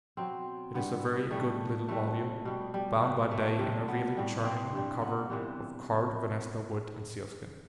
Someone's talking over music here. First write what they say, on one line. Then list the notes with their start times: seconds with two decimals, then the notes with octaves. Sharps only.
It is a very good little volume, bound by Day in a really charming cover of carved venesta wood and sealskin.
0.17 B2 F#3 C4
0.74 G2 E3 G3 B3
1.31 A2 G3 A3
1.88 C3 E3 G3 A3
2.45 B2 G3
2.74 G3
3.02 B2 G3
3.31 A3
3.59 C3 G3
3.88 B3
4.17 A2 G3
4.44 C4
4.73 G2 E3 G3
5.02 B3
5.30 C3 E3 G3